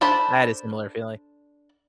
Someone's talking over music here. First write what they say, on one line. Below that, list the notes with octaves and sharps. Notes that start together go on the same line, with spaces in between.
I had a similar feeling.
D4 A4 C5 A5 B5